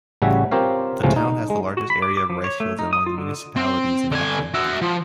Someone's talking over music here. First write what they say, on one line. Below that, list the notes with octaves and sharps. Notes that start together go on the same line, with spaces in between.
The town has the largest area of ricefields among the municipalities in Aklan.
A1 C#3 G3 F#4 C#5 E5
C4 F4 G4 A#4 C#5 F5
C#2 A2 C3 F3 A3 C#4
D#4
G#3
F#4
B5
D6
D6
F3
C#5
A3
D#4
D#6
F4
D3
C4
D3 G#5
F#4 E5
F3